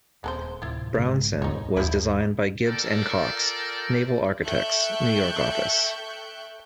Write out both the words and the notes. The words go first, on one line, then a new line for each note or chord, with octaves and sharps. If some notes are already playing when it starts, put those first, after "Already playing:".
"Brownson" was designed by Gibbs and Cox, Naval Architects, New York office.
D#1 G#3 B3 A4 C5
D2 A2 C3 E4 F4
B1 G#2 C#3
E2 D#4 C#5
D#2 D#4 E4
F4 A4 A#4 D5 G5
A4 E5 G5 C#6 F#6 G6